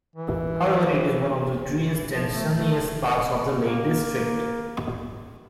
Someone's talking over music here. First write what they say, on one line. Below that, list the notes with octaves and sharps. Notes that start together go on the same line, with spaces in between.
However it is one of the driest and sunniest parts of the Lake District.
E3
E3
F3
A3
A3
A#3